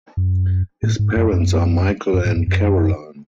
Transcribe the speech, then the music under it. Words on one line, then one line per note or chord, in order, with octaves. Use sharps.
His parents are Michael and Caroline.
F#2
A2
G#2
F#2
F#2
F#2
G#2
F#2
F#2